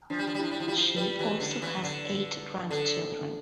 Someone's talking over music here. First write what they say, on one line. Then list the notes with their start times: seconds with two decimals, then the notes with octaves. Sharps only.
She also has eight grandchildren.
0.10 F3 D4
0.19 G3
0.27 F3
0.34 G3
0.39 F3 E4
0.51 G3
0.60 F3
0.67 G3 F4
0.76 F3
0.96 G3 B4
1.19 E3
1.40 D3
1.62 E3
1.84 D3
2.70 D3 A4